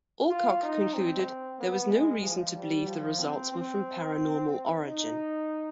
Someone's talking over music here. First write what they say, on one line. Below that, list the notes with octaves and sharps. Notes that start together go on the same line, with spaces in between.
Alcock concluded there was no reason to believe the results were from paranormal origin.
F4
D#4
C4
B3
G#3
F3
G3
F3
C4
C4
D#4